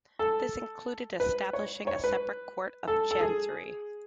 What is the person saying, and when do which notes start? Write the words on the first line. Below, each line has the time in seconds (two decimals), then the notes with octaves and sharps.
This included establishing a separate Court of Chancery.
0.19 A4
1.20 B4
1.53 C#5
1.87 C#5
2.04 B4
2.88 A4
3.11 A4
3.21 G#4